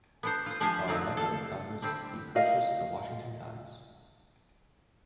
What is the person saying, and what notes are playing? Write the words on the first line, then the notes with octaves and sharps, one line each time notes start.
While a member of Congress he purchased the "Washington Times".
B3 D4 C5
F4 C5
F3 D4 G4 C5 F5 G#5
F3 F#3 C4 D#4 F4 D5
A4 F5
D3 G3 C4
A#4 D#5 F5